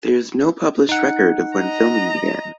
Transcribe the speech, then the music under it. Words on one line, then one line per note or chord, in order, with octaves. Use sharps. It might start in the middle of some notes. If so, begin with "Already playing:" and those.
There is no published record of when filming began.
D#4 F#5
D#5 A#5